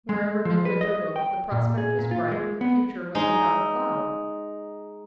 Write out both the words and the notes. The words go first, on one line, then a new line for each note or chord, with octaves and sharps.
Wherever Midwinter looked, the prospect was bright, the future was without a cloud.
G#3
F3
B4
D#5
G5
A#2
G#4
A#2
F4
G#3
B3
G#3 D#4